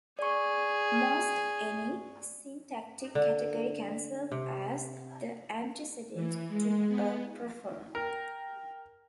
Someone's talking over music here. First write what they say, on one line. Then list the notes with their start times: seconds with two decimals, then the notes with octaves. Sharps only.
Most any syntactic category can serve as the antecedent to a proform.
0.19 G#4 D5 C#6
3.15 D3
4.31 C3
6.14 E3
6.49 G#3
6.88 B3
7.95 A#4 G5